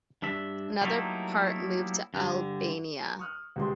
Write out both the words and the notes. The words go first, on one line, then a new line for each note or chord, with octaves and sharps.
Another part moved to Albania.
G2 D4 E5
F#3 G3 A3 A#3 D#4 E4
G2 D3
A#5
C#6 D#6 F6 F#6
C#2 C3 G#3 G4 C6